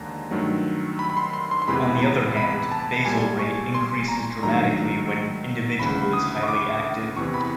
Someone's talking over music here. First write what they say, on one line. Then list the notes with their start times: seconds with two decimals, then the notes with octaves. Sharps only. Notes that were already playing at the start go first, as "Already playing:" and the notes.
On the other hand, basal rate increases dramatically when an individual is highly active.
Already playing: D#2 D3 F3 G#3 A5 A#5
0.31 G2 D#3 F#3 A3
0.99 B5
1.10 B5
1.17 C6
1.33 C6
1.51 C6
1.62 C6
1.68 E2 C3 E3 G#3 B5
2.02 A#5
2.37 B5
2.72 A5
3.05 A#2 G3 G#5
3.39 C#6
3.74 C6
4.08 A#5
4.43 G2 D#3 F#3 A3 A#5
5.79 D2 C#3 E3 B5
6.13 D#6
6.43 C#6
6.48 D6
7.17 E2 C3 E3 C#6
7.34 B5